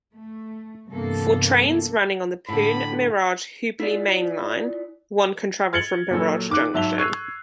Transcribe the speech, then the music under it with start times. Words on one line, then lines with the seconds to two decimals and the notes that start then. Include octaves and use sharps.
For trains running on the Pune-Miraj-Hubli mainline, one can travel from Miraj junction.
0.15 A3
0.90 G2 C3 E3 A#3 B3 A4
2.48 A2 D3 B5
3.80 E4 F4 D5
5.73 F6 G#6 A6 C#7 F#7 G7
6.10 A#2 F#3 A4
6.49 D#3 D6 F#6
6.73 G#2 F#3 E5 A5 F7 G7
6.98 C#6 E6 F#6 G#6 C7 D#7